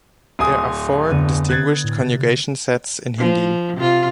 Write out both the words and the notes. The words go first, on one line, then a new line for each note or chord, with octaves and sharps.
There are four distinguished conjugation sets in Hindi.
D1 G#5 C6 D#6 D7
F2 D3 B3 D#7
F#6 G#6 A6
A2
C3
F3
C3 F4